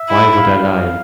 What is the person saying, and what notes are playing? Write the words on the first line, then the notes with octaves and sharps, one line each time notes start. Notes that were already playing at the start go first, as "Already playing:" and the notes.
Why Would I Lie?
Already playing: E5
E4
F5